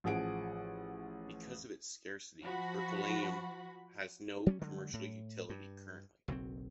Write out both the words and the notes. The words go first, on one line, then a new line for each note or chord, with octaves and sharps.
Because of its scarcity, berkelium has no commercial utility currently.
A1 F3 G#4 F#5 D7
F3 F#4 B5
F#3 G3 C4 C#4
D3 F#3 G#3
A2
G2
F#1 B1 F#3 C4